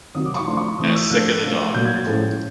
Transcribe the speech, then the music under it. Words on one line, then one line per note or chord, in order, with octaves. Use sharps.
As sick as a dog.
C3 D#3 F#3 D#6
D6
C#6
F3 A3 D4 C6
C#6
C#6
E3 A3 C4 D#6
E6
F3 A3 D4 F#6
F3 A3 D4
A#2 F#3 A#3 G6
G#6
A6
A2 F3 G#3 C#4